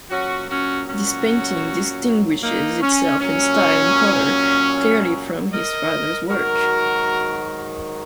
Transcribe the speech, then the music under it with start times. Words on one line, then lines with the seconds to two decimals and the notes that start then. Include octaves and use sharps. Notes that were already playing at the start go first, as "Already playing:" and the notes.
This painting distinguishes itself in style and colour clearly from his father's work.
0.11 A#2 F#3 C#4 F#4
0.50 C#4 F#4
0.88 C#4 F#4
2.43 A#3 D#4
2.82 C#4
3.20 A#2 F#3 C#4
5.53 A#4 D#5
6.29 G#2 D#3 F#3 F#4 A#4